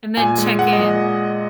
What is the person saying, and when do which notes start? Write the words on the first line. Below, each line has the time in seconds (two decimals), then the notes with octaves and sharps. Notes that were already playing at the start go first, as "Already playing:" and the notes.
And then check-in.
0.17 A#2 G#5
0.38 G#3
0.59 G#3 F#5
0.73 D#5
0.80 A#2